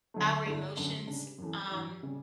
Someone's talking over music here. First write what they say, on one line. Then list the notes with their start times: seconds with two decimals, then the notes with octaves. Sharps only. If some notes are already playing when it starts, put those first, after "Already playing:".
our emotions, um,
0.14 D2 D3 F#3 A3
0.46 G2 D3 A3 E4
0.77 F#2 D3 G3
1.07 C#3 G3 D4
1.38 F#2 E3 A3
1.69 G2 E3 G3
2.03 C#3 G3